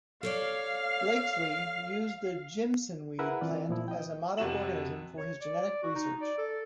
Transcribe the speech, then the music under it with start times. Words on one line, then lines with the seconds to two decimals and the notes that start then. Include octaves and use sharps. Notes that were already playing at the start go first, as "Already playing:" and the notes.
Blakeslee used the jimsonweed plant as a model organism for his genetic research.
0.23 A4 C#5 D5 F5
3.19 E4 G#4 A#4 B4 E5 F#5
3.41 E3 C4 F4 D5
3.69 A#2 F3 E4
3.88 D#5 G5
4.37 F2 C3 F#4 E7 F#7
5.17 C#5
5.41 D5
5.83 F#4
5.95 D#4
6.22 D5
6.38 A4